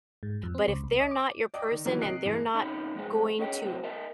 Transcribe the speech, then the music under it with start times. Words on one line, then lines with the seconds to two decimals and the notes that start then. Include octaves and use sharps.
but if they're not your person, and they're not going to
0.23 G#2
0.43 F2
0.55 C4
0.68 C#2
0.84 C2
1.00 D#5
1.11 D6
1.54 D5 D#5 G5 D6 D#6
1.72 D#3
1.85 D#3 E3 F#3 G3 A#3 B3
2.02 C3 D#5 F#6 C7 D7
2.25 G2 E3 G#3 A3
2.54 C3 C#4 D#4 B5
2.95 F2 G#2 C3 G#3 C4
3.39 C#4 G#4 C#5 D#5 G5
3.64 A2 C3 F#3 C4
3.84 A#4 D#5 E5 A5